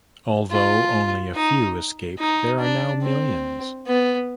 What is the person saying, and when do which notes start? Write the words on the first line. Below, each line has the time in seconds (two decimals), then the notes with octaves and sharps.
Although only a few escaped, there are now millions.
0.51 F4
1.35 D#4
2.19 D#4
2.60 D4
3.02 C4
3.87 B3